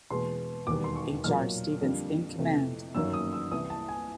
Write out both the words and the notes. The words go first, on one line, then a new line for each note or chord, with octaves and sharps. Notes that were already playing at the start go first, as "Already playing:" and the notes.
H. R. Stevens in command.
E2 B2 G#3 B3 C6
E1 D#2 D#3 G3 B3 D6
C6
C#6
B1 A#2 F#3 A#3 F6
F2 D3 G3 A#3
F2 C3 E3 A3
G1 F#2 D#3 F#3 A#3 E6
D#6
E6
C2 C3 E3 D#6
A5
G#5